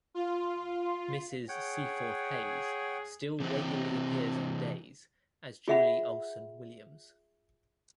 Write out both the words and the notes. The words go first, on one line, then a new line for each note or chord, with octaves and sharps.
Mrs. Seaforth Hayes still regularly appears on "Days" as Julie Olsen Williams.
F4
G#4 C#5 F#5 G5
C3 E3 C4
F4 G#4 E5 F#5 B5